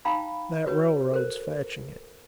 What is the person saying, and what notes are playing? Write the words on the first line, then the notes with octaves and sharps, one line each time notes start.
That railroad's fetching it.
D#4 F5 G5 A#5 B5
F#4 B4 C#5
A4 A#4 C5